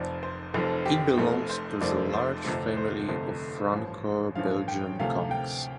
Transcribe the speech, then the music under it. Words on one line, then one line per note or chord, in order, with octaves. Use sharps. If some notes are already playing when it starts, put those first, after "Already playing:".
It belongs to the large family of Franco-Belgian comics.
Already playing: F1 F2 F3 D5
C5
F1 F2 F3 A4
G4
F1 F2 F3 A3
C5
F1 F2 F3 A3 D5
C5
G1 F2 C3 A3 A4
C5
G1 F2 C3 A3
A1 G2 D3 F3
A1 G2 D3 F3 F5
G5
D2 C3 F3 A3 F5
G5